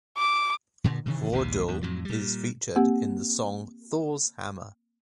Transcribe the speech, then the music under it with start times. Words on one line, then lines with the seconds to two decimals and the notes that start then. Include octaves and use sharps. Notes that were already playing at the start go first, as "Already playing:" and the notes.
Vordul is featured in the song Thor's Hammer.
0.17 D6
0.84 G2 A#2 D3
1.06 G2 C3 D#3 E3
1.32 A#1 D#2 G#2 C3
1.68 E2 G#2
1.83 F2 A2 F#3
2.05 A#2 G3
2.76 A#3 C4 G4 F#5